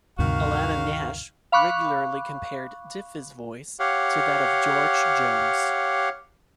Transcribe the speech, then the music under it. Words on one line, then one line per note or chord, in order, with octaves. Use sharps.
Alanna Nash regularly compared Diffie's voice to that of George Jones.
D2 G2 C3 D#3 F#4 F5
F5 B5 C#6 D6 F#6
G4 C#5 F5 F#5